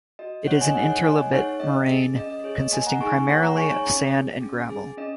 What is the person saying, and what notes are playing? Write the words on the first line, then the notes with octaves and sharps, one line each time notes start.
It is an interlobate moraine, consisting primarily of sand and gravel.
F#4 D#5
A#3 C#5 F#5
D#5 G#5
D#4 G#4 C#5 F#5
C#5 F#5
A#3 D#5 G#5
D#4 G#4 C#5 F#5
C#4 D#5
G#4
C#4 D#5
D#5
G#4 C#5
D#5
A#3 D#5 G#5
F#5 A#5
D#4 G#4 G#5 C#6
A#3 C#5 F#5
F#5 A#5
D#4 G#4 G#5 C#6
C#5
C#4
G#4
C#4
G#4
C#4 D#5